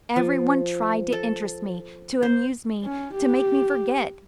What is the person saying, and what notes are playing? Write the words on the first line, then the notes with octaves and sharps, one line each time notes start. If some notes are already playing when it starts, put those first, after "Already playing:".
Every one tried to interest me, to amuse me, to make me forget.
F3
A4
C5
C#4
G4